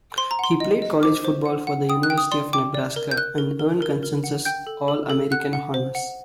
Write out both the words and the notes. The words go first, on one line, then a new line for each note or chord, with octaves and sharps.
He played college football for the University of Nebraska, and earned consensus All-American honors.
C5 C6
A#5
F#5 C6
D#5
D#5
C5 D6
C5
F#5
F#5
G5 D#6
F#6
G5
D#6
D5 C6
G5 D6
D5
A#4
G6
A#4 F#6
A#4
A#4
A#4
A#4
F#5
G5 G6
A4
A4
A4
F#5 F#6
F#5
C5
F#5